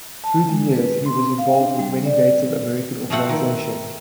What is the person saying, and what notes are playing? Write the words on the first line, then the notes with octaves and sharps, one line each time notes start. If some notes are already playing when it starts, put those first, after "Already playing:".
Through the years, he was involved with many Native American organizations.
A5
G#3
B4
C6
F5
D4
G3
D5
F3 A3 C4 F#5
D#3